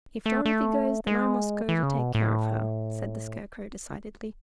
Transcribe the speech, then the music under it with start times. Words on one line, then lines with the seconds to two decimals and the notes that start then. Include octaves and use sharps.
"If Dorothy goes, then I must go to take care of her," said the Scarecrow, decidedly.
0.26 A3
0.45 A3
1.07 G#3
1.69 E3
1.83 C#3
1.99 B2
2.15 A2